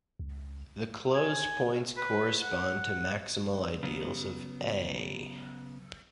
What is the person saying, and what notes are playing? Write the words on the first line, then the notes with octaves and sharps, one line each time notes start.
The closed points correspond to maximal ideals of "A".
C#2
G#5
B4
F#5
C#3 F#3 B3